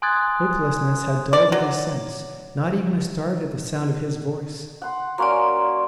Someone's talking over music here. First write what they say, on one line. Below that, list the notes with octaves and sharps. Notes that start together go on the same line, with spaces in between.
Hopelessness had dulled every sense: not even a start at the sound of his voice!
G#5 C6 D#6 F#6 G#6 A6
D5
F#3
F#5 C6
F#3 A#3 C#4 D5 C6